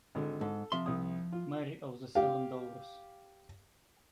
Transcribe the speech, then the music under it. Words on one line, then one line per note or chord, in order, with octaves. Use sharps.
Mary of the Seven Dolors.
G#1 D3
G#2 A4
C3 F3 E5 C6
C2 D#6
F4
G4 F5